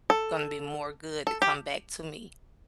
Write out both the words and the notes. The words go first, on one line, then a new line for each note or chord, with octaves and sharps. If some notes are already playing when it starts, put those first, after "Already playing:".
gonna be more good that come back to me.
A4
A4
G4